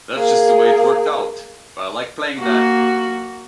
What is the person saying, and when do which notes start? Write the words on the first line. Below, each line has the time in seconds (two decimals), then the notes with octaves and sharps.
That's just the way it worked out - but I like playing that.
0.15 A#3 G#4
2.37 A#3 F#4